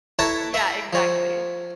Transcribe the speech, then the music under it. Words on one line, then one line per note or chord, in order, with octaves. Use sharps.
Yeah, exactly.
E4 A4 B4 C#5 A5 A#5
E5 A#5
F3 C#5